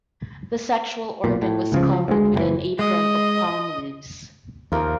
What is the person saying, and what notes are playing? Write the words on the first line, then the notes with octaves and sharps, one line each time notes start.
The sexual organ was covered with an apron of palm leaves.
B1 A#2
A2
C#2 C#3 F3
F3
D2 G#3
F#1 C#3 E3
G#3 D#5
D#2 F3 A#4 F5